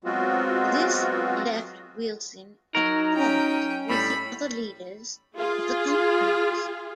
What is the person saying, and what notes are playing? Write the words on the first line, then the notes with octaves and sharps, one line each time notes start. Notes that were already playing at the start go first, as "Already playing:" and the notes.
This left Wilson at odds with the other leaders of the conference.
F#3 G#3 B3 C4 F4 F#4
F#3 D#4 A#4
C#4 G5
A2 G3 B5
F4 G#4